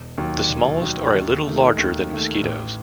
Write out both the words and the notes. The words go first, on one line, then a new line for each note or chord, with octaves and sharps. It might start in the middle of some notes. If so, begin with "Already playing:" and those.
The smallest are a little larger than mosquitoes.
Already playing: E1
D#2 D#3 F#3
E1
D#2 D#3 F#3
D#2
D#3 A3
D#2
D#3 A3
A1